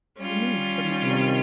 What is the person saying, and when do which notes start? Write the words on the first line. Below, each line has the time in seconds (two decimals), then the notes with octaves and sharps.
"You mean the--murder?"
0.18 G3 C#4 F4
1.02 C3 D#3